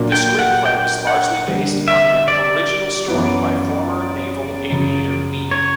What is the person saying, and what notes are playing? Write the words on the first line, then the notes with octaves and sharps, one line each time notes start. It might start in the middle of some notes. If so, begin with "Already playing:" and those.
The screenplay was largely based on an original story by former naval aviator Wead.
Already playing: A#2 F#3 A#3 D4
G5
F#5
G5
F#5
D3 G3 A#3 D4
E5
D5
F#2 E3 B3
F#2 C#3 F#3
C#5